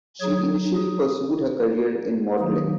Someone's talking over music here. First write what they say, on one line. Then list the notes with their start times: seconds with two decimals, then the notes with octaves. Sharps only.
She initially pursued her career in modelling.
0.21 F#3 D#4 G#4 C#5
0.76 G#4
2.39 D#3 F#3 A#3 D#4 G#4